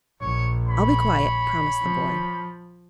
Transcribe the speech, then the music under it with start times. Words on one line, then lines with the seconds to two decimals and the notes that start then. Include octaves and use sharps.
"I'll be quiet," promised the boy.
0.21 A#1 C#5 C#6
0.68 C#5 B5
1.82 F3